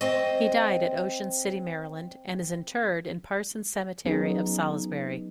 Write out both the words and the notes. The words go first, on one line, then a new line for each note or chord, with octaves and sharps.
He died at Ocean City, Maryland, and is interred in Parsons Cemetery of Salisbury.
C4 D#5
F#3 B3 C#4 D#4 G#4